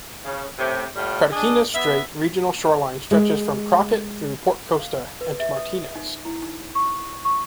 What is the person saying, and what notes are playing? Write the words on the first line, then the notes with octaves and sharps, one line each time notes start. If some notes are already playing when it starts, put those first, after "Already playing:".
Carquinez Strait Regional Shoreline stretches from Crockett through Port Costa and to Martinez.
C#3
A2 C3
A2 G3 F4
D4 G#4 D#5
B3 E5
G#3
F5
B4
E5
D#6
D#4
E4
D#4
C#6
C#6